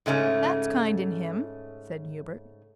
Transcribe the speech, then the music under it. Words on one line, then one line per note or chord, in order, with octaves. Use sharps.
"That's kind in him," said Hubert.
G#2 C#3 A3 C#4